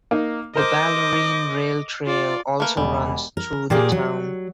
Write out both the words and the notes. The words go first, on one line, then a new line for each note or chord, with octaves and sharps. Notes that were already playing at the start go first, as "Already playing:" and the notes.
The Bellarine Rail Trail also runs through the town.
A#3 D#4
A#4 C5 D#5 D6
F4 D5
A3 A#3 B4
E1 G3 F#5 G#5 B5
A#4
A#2 A#3 G4 G#4
F#3